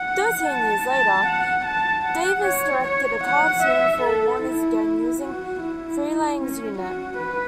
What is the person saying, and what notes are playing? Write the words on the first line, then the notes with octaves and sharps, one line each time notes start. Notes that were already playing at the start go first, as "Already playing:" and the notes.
Thirteen years later, Davis directed a cartoon for Warners again, using Freleng's unit.
Already playing: F#5
A5
A5
F#5
A5
F#5
C#5
C#5
F#5
E5
A4
E4
F#4
E4
C#4
F#4
B4